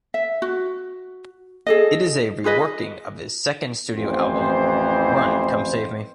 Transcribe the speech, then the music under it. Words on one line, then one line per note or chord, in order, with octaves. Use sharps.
It is a re-working of his second studio album, "Run Come Save Me".
E5
F#4
G#4 A4 D#5
F4 G#4 B4 D#5
A1 F2 E3 C5